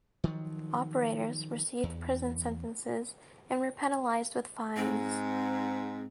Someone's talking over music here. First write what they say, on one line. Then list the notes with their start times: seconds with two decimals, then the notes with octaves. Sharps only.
Operators received prison sentences and were penalized with fines.
0.24 D#3 F3 F#3
1.83 E2
4.77 G#2 C4